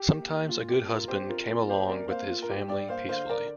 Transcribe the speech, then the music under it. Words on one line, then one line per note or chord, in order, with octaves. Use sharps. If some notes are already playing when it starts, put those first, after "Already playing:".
Sometimes a good husband came along with his family, peacefully.
Already playing: G4
A#3
A#3
A#2 F4
A#3 G4
A#3 F4 A#4
F2 G4 C5
F2 F4 A#4
A#3 F4 A#4
A#3 G4 C5
C3 A#4 D5
A#3 C5 F5
A#3 F4
A#4
G2 G4
G2 D5 G5
A#3 C5 F5
D3 C5 F5
D3 A#4 D5